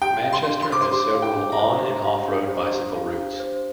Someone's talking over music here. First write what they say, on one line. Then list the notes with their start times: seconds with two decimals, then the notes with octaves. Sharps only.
Manchester has several on and off-road bicycle routes.
0.02 G4 G5
0.24 F5
0.33 C6
0.47 D4
0.62 C6
0.70 C5 D6
0.81 C6
0.91 G4 C6
1.14 F5
1.22 G5
1.37 D4
1.52 A#5
1.59 C5
1.82 G4
2.05 F5
2.28 D4
2.49 C5
2.72 G4
2.95 F5
3.18 D4
3.40 C5